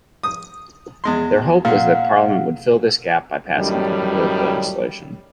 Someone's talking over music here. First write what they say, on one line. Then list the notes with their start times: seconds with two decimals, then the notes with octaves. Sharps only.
Their hope was that Parliament would fill this gap by passing prohibitive legislation.
0.23 D#6
1.04 E2 G#3 C6
1.65 A#2 F5 F#5
3.57 F#2 A2 D#3 G3